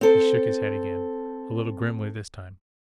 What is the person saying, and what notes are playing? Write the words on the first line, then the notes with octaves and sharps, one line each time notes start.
He shook his head again--a little grimly this time.
C4 A4 C5